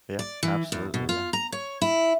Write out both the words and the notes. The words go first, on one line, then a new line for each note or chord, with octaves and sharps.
Yeah. Absolutely. Yeah.
D5
E3
E2
B2
F4
A#5
C#5
E4